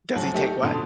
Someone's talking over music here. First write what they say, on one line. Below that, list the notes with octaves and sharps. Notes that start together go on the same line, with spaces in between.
Does he take what?
D2 F3 F#3
G3 A3 A#3 D#4 G4
F2 B2 D3 A4 C6 D#6